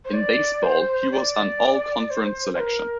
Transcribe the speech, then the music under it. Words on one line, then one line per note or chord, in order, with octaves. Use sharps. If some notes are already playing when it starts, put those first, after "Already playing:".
In baseball, he was an All-Conference selection.
C5
D5
C5
D5
C5
C5
A#4